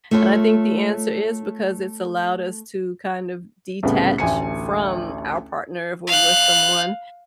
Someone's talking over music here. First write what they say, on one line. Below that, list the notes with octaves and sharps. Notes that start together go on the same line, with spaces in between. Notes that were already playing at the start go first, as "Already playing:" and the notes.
And I think the answer is because it's allowed us to kind of detach from our partner if we're with someone
A3 F4 C#5
C2 A2 C#3 B3
A1 D2 G#5 C#7
F5 F#6